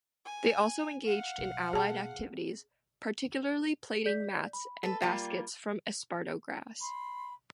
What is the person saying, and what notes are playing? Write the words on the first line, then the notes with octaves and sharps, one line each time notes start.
They also engaged in allied activities, particularly plaiting mats and baskets from esparto grass.
G#5
F5 F#5
B1 F#3
B2 G#4 A5
C4
D5 G6 B6
B5
A4 B4
G3 A#3 F4 G5
B5 C6